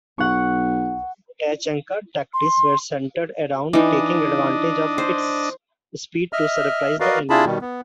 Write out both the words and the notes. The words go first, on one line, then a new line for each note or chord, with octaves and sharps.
Tachanka tactics were centered around taking advantage of its speed to surprise the enemy.
B1 F#5 C#6
C6
E3 D4 D#4 D#5
C5
D#5 E5 F6
F#4 A#4 B4 D5 D#5 F5
D4 E4 F4 G#4 A5 B5
B2 D#3 G3
B3